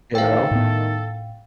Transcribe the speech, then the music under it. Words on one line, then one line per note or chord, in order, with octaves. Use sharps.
You know.
D#3 A3 A4 F5 G5
A2 B3